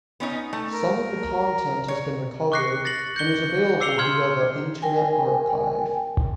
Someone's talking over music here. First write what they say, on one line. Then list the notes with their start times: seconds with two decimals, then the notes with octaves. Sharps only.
Some of the content has been recovered and is available via the Internet Archive.
0.20 B3 C#4 D#4
0.53 A3
0.72 A#4
1.88 C#5
2.52 C#6 D6 F#6 A#6 C7 C#7
2.85 A6 A#6 C7 F#7
3.16 G6 C#7 G7
3.80 D6 E6 C7 C#7 F7 G7
3.98 A#5 C6 F6 G#6
4.82 A#4 G5 G#5